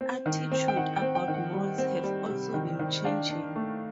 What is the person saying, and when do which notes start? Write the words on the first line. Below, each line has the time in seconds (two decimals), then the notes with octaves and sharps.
Attitudes about malls have also been changing.
0.01 C4
0.26 D#3
0.52 C4
0.68 G5
0.77 D#3 F#5
0.96 G5
1.02 C4
1.15 G5
1.28 D#3
1.34 F#5
1.53 G3
1.78 C4
2.04 G3
2.29 C3
2.54 D#3
2.79 D#3
3.05 D4 F5
3.30 D4
3.56 A3